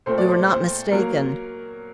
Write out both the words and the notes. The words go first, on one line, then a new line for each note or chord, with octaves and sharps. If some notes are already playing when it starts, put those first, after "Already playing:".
We were not mistaken.
A#2 A3 C4 C5
D5
C5
C5
F#3 A#3 A#4